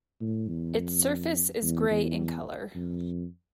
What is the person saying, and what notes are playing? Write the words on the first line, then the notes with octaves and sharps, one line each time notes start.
Its surface is grey in color.
A2
E2
F2
E2
E2
F2